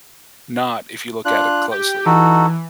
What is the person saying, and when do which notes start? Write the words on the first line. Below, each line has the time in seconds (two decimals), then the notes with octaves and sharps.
not if you look at it closely.
1.25 D4 F4 F#6
1.71 G4 G5
2.06 E3 D#4 F#4 A4